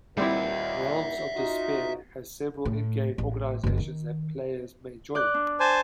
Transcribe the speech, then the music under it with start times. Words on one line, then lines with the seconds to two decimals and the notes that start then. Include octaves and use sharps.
"Realms of Despair" has several in-game organizations that players may join.
0.17 D#2 A#2 G3 C4 E4 E5 F#5
1.36 D#4 F4 F#4
2.65 A2
3.18 A1
3.64 F#1 G#3
3.78 D#3
5.15 D5 F#6 G6
5.34 D4
5.60 C5 G#5 A5